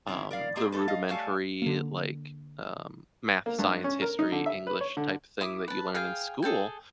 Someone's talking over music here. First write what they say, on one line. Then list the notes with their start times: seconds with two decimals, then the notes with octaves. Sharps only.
um the rudimentary, like, um, math, science, history, English type thing that you learn in school.
0.07 D#3 C4 C#4 E4
0.31 A#4 D5 F5
0.56 G#3 A#3 G4 G#4
0.72 E3 A4 B4
0.88 D#5 F5
1.09 G3 A3 A4 C#5 F5 G#5
1.62 D3 A#3
3.46 A#3
3.59 G2
3.84 C#4
4.02 A#4
4.19 D#4
4.32 D3
4.46 E5
4.67 B4
4.81 C#5
4.97 D3
5.41 E4 D6 D#6
5.68 B4 A5
5.95 G#4 F5 G5
6.43 G#4 A4 G5 G#5